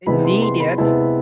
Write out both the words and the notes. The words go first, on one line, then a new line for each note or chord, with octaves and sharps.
need it
C3 G#3 B3 E4 B5
C6
C6
B5
C3 G#3 B3 E4 A5